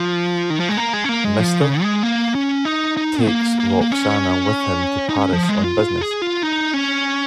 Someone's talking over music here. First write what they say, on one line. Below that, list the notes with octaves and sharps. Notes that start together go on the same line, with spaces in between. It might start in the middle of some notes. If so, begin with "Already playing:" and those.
Mr. -- takes Roxana with him to Paris on business.
Already playing: F3
D#3
F3
G#3
A#3
G#3
C#4
A#3
G#3
F3
C#3
G#3
A#3
C#4
D#4
D#4
G#3
A#3
A#3
A#3
C#4
D#4
C#4
F3
G#3
F4
F4
G#4
F4
D#4
C#4